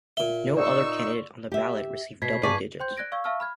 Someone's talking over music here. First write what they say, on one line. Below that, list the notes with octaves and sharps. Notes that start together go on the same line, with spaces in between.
No other candidate on the ballot received double digits.
A#2 E5 G7
D#4 F4 D5 C#6 E6
G4 E5
B2 G#6 B6 C7
G2 G#4 D5 C#6 B6 D#7
C5 G5 C6 G6
D5 F#6 G#6 A#6 D7
D5 F5 C#6 E6 G#6
E5 F5 A5 C#6 E6 F6
B5 F6 G#6